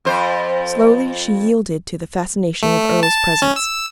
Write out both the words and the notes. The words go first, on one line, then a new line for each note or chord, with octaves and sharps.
Slowly she yielded to the fascination of Earle's presence.
F2 C5
A3
A5
C#4
E6